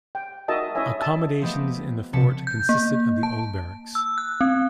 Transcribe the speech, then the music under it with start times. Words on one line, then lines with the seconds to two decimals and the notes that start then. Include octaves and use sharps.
Accommodation in the fort consisted of the old barracks.
0.15 G5
0.48 D#4 F#4 A#4 D#5 E5 A5
0.75 C#4 E4 C#5 D#5 E5 G#5
1.00 E5 A5
1.41 F3 A3 B3 G4 B4 D#5
2.13 C2 C3 F3 A5 B6 C#7
2.47 G6
2.69 A#3
3.23 A5
3.95 E6
4.18 F#6
4.41 C4